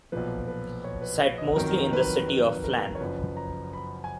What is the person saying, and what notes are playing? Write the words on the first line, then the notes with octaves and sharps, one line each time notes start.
Set mostly in the city of Phlan.
B1 A#2 F3 B4
B4
C#5
B4
C#5
D#5
F2 D#3 F#3 A#4
B4
B4
A#4
C#5
F#1 F#2 F3 B4
A#5
B5
G#5